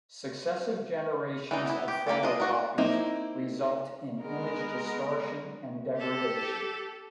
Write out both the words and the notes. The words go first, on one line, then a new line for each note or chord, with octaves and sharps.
Successive generations of photocopies result in image distortion and degradation.
E3 D4 D#4
B3 E4
G4
E3 A#3 G4 A4
A#3 D4 F4 D#5
D4 F#4 A#4
A#3 C4 D#4 E4
G#3 B3 A#4
G4 A4